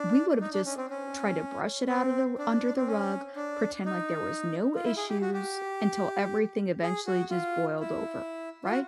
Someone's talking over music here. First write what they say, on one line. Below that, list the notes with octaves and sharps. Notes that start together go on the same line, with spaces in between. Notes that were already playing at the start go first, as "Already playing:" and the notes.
we would've just tried to brush it out of the r under the rug, pretend like there was no issues, until everything eventually just boiled over," right?
Already playing: D4
D#4
D4
C#4
C4
C#4
C4
D4
C4
C#4
D4
D#4
F4
E4
G#4
G4
F#4
G4
G#4
F#4
F4
E4
F4
F#4